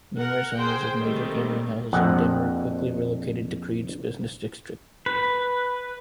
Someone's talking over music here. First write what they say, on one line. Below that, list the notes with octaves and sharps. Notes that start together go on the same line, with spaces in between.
Numerous owners of major gambling houses in Denver quickly relocated to Creede's business district.
A#4 F#5
G#4 C5 G5
D#3 G3 A3 C4
A#1 F2 F#5
B4